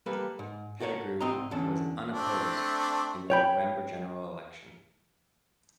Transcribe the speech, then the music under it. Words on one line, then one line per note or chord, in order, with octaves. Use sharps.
Pettigrew was unopposed in the November general election.
G3 A#3 A4 B4
G#2
F#4 A4 A#4 C#5
C2 G#2 C4 D#5 A#5
E2 D3 C#4 A5
A3 C4 D4
C#5 G5 B5